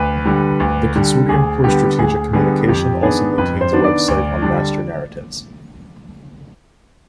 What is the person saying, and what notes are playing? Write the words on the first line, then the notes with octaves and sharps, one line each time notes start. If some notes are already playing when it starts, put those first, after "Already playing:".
The Consortium for Strategic Communication also maintains a website on master narratives.
Already playing: D2 B4
D3 G3
D2
D3 G3
D2 G#4
D3 G3 B3 G4
D2 G#4
D3 G3 B3 G#4
F2 G4
D#3 B3 D4 G#4
F2 B4
C5
D#3 B3 D4
D5
D2
D3 G3 D4